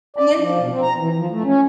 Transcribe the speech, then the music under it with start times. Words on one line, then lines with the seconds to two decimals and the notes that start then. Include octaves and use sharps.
And then i
0.16 D5
0.39 F3
0.59 B2
0.70 C4
0.82 A#5
0.98 E3
1.15 F3
1.30 A3
1.44 C#4